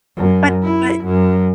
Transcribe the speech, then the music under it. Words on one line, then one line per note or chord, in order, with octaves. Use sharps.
But but
F#2
E4
F#2